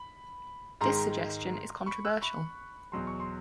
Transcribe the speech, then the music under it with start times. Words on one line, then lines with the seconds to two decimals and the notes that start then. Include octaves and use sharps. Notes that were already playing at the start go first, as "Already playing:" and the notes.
This suggestion is controversial.
Already playing: B5
0.81 G#2 D#3 G#3 A#5 C6
1.86 B5 C#6
2.05 E6 F#6
2.22 B5 C#6
2.92 E2 B2 F#3 C6
3.07 C#6
3.20 C6